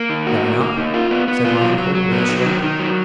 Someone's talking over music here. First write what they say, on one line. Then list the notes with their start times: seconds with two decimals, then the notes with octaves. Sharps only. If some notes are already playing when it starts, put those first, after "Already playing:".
"Going up!" said my uncle, with a shrug.
Already playing: A#3
0.10 D#3
0.27 F#4
0.44 A#3
0.61 A#3
0.77 D#4
0.94 F4
1.11 B3
1.28 B3
1.45 F4
1.62 F#3
1.78 F#3
1.95 F#3
2.12 B3
2.29 F#3
2.46 D#3
2.62 D#3
2.79 F#3